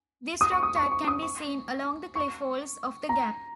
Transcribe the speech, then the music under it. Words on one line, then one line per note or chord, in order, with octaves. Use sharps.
This rock type can be seen along the cliff walls of the Gap.
D#6
C#6
D#6
C#6
C#6
D#6
C#6
C#6
A#5